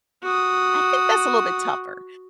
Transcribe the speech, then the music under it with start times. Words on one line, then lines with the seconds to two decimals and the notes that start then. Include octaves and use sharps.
I think that's a little bit tougher,
0.23 F#4 D#6